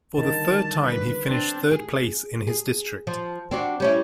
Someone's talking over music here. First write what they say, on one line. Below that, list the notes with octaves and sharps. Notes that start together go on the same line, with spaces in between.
For the third time he finished third place in his district.
D3 D#3 G3 A5
B4
C4 D4
G#4
G#4
F3
C4 D4 F#4
G3 C#4 E4